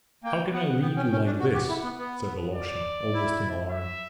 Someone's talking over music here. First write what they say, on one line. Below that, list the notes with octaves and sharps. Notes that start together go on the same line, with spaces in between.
"How can I leave you like this?" said Alyosha, almost in alarm.
A#3 G5
B3 F#5
B3 G5
C#4
C#4
D4
F#4 F#5
G4
E4
B3
B3
D5
E4
E5